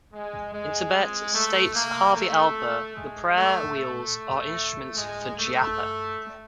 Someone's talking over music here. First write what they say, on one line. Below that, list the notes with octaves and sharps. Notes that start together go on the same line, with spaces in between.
In Tibet, states Harvey Alper, the prayer wheels are instruments for "japa".
G#3
G#3
A3
A#3
A3
G#3
A3
A3
G#3
A3